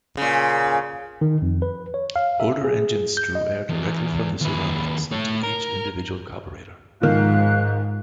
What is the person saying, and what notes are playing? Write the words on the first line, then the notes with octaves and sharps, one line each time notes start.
Older engines drew air directly from the surroundings into each individual carburetor.
A#2 C#3
D#3
F2
B4
C#5
F5
E5
G#4
G6
D#5
E2
D#2 B4
A3 C#5
A#4
G#2 D#3 F3 F5 F#6